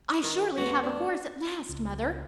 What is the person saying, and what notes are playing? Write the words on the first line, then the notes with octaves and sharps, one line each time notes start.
"I surely have a horse at last, mother."
D#3 A#4
F2 A3 B3 F#4
D4
C#2